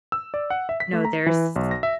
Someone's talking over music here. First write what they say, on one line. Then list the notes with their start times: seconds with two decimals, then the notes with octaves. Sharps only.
No. There's
0.12 E6
0.34 D5
0.50 F#5
0.69 E5
0.80 B6
0.93 A3
1.05 A#5
1.27 E3
1.56 B1
1.71 A#6
1.83 E5